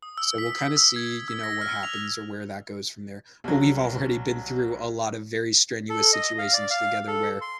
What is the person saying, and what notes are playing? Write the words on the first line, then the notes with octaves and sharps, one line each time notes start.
So we'll kinda see, you know, what happens or where that goes from there. But we've already been through a lot of very strenuous situations together where,
D#6
E6
B6
E6
G#6
E6
A#6
F6
F7
C2 F#3
A4
D#5
F5
D5
F5
A4
C6